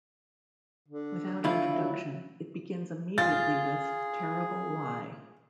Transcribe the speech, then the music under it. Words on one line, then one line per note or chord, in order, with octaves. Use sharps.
Without introduction, it begins immediately with "Terrible Lie".
D3
D2 E4 F4
F#3
F4 G#4 A6